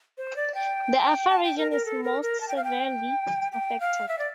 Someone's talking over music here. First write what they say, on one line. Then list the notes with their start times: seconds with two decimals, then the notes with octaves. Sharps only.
The Afar Region is most severely affected.
0.18 C5
0.36 D5
0.55 G5
1.29 A5
1.44 G5
1.58 A#4
1.71 A#4
1.86 A4
2.04 A#4
2.22 A#4
2.41 A5
2.49 G5
2.56 F5
2.64 G5
3.52 G5
3.80 F5
4.08 E5
4.19 D5